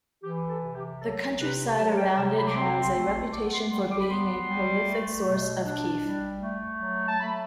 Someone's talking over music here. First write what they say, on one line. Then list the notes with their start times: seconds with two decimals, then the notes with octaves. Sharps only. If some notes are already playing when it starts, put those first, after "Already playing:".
The countryside around it has a reputation for being a prolific source of kief.
0.23 E3 G4
0.49 A4
0.63 C3
0.75 G4
1.01 F#3 A4
1.39 C3 B4
1.79 F#3 A5
1.98 G5
2.17 C3 A5
2.37 B5
2.48 D6
2.56 C4 C6
2.82 C6
2.95 A3
3.07 C6
3.33 B3 D6
3.53 C6
3.71 G3 C6
3.91 D6
4.01 B5
4.11 B3 C6
4.49 G3
4.87 A3
5.26 B2
5.65 D4
6.03 G3
6.42 A3
6.81 F#3
7.08 A5
7.20 A3 B5